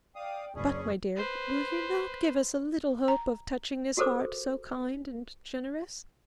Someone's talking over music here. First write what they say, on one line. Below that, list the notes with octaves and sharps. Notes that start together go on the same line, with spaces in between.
But, my dear, will you not give us a little hope of touching this heart, so kind and generous?
D5 F5 G5 D#6
F#1 C#4 D4 G#4 D5 B5
B4 C5
A#5
F#4 G4 A4 A#4 C5 D6